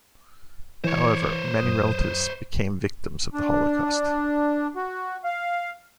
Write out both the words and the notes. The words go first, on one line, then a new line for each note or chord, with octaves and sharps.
However, many relatives became victims of the Holocaust.
E3 C5 C#5
F#2 D#6
D4
F#4
F5